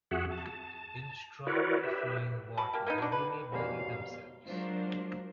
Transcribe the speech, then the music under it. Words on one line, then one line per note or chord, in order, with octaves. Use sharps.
In strongly flowing waters, they may bury themselves.
F2 F#4 G#4 E5 F#5
A5
E4 F#4 A#4 B4 C#5 D5
G4 B4 E5
B2 A5 B5
A#3 G4
A#3 B3 C#4 D#4
F#3 D4
B4
F2 G#2 B2 A#3 G4 C#5 D5 F5
F#3 G#3 D4 F4 A#4 C5